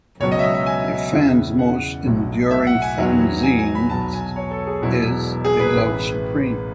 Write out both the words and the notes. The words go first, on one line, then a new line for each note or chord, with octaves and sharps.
The fans most enduring fanzines is "A Love Supreme".
C#2 B2 F#3 C#5
D#5
E5
D#5
E5
G#5
E2 C#3 E3
F#5
B1 A2 F#3
E5
F#5
G#5
E2 D#3 F#3
G#5
G#5
B5
B1 B2 F#3 A5
G#5
C#5
A4
G#4
E1 E2 B2 F#3 E4
G#4
B4
A1 A2 E3